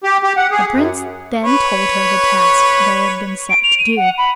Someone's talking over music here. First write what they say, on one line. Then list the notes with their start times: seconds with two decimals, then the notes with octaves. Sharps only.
The Prince then told her the task they had been set to do.
0.04 G4
0.23 G4
0.37 F#5
0.51 G#4
0.73 F#2
1.44 B4 C#5
3.50 D7
3.63 F7
3.78 D#7
3.96 F#5
4.18 B5